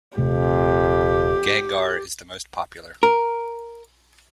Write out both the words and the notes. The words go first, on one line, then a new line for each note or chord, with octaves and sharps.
Gangaur is the most popular.
D#1 F2 C3 A3 G4
A#4